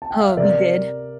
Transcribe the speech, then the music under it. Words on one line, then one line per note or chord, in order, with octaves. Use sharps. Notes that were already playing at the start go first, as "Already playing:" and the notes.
Oh, we did.
A5
G5
F5
E5
C3 A#4 D5